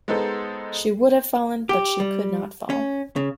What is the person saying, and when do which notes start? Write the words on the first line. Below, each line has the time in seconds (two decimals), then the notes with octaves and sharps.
She would have fallen, but she could not fall.
0.08 G#3 B3 D#4 A4 C5
1.69 G4
2.00 G3
2.70 C#4
3.16 C#3